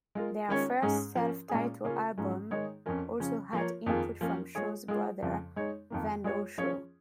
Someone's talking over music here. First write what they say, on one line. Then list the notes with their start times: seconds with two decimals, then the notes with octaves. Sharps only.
Their first self-titled album also had input from Shaw's brother Wendall Shaw.
0.15 G#3 F4 A#4
0.49 D#3 G#3 C#4 F4 C#5
0.82 G#2 G#3 C#4 G#4
1.16 F3 C#4 A#4
1.49 A#2 G#3 C#4 G#4
1.84 C#3 A#3 C#4 F4
2.18 G#2 F3 G#3 C#4
2.51 D#3 G#3 D#4 G#4 C#5
2.86 F2 F3 C#4 A#4
3.20 C#3 F3 C#4
3.53 F3 A#3 F4 A#4 C#5
3.86 F2 D#3 A#3 F4 G#4
4.21 F3 A#3 C#4 A#4
4.55 G#3 F4 G#4 C#5
4.88 G#3 F4 G#4
5.22 F2 C#3 F3
5.56 G#3 D#4 C#5
5.90 F2 D#3 A#3
6.24 G#3 F4 G#4 C#5
6.58 F3 C#4 F4 G#4 C#5